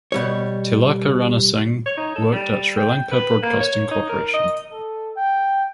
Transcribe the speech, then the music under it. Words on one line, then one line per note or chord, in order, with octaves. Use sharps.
Tilaka Ranasinghe worked at Sri Lanka Broadcasting Corporation.
B2 G3 C#5
C#5
D#4
A4
G3
G5
B4
A#3
C#5
D#4
A#4
D#5
A4
G5